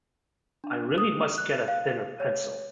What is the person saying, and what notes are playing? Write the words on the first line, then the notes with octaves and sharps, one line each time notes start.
I really must get a thinner pencil.
D4
D#6
F#6
F5
C#5